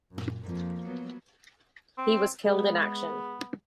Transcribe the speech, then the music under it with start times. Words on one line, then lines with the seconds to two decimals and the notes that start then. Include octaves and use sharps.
He was killed in action.
0.11 F#2 A#2
0.43 F2 F3 A#3
0.84 F#3 B3
1.98 C4
2.46 G#3 B3